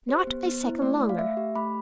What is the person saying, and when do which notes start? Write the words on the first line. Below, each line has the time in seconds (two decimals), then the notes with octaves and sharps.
"Not a second longer."
0.09 G4 C5
0.27 B3
0.45 B3
0.63 E4
0.82 A3 D5
1.00 A3
1.09 F5
1.19 A3 E5
1.37 G4
1.55 A3 B5